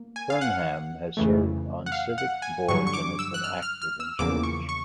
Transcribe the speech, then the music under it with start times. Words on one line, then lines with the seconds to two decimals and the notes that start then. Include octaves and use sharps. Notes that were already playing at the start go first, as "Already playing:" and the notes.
Turnham has served on civic boards and has been active in church.
Already playing: A#3
0.16 G#5
0.30 F5
0.41 F#5
1.17 F2 C#3 E3 A3
1.86 F#5
1.92 F5
2.18 F#5
2.42 G#5
2.68 G2 D3 F#3 C#6
2.87 C#6
2.94 D6
3.19 E6
3.34 F#6
3.44 F6
3.62 F6
3.82 F6
4.00 E6
4.19 E2 C#3 F3 A#3 D6
4.43 C#6
4.69 C#6